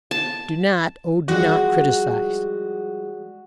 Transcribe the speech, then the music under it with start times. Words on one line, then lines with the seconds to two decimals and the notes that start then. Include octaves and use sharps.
Do not--oh, do not--criticise.
0.11 A5
1.28 F3 G3 G#3 F#4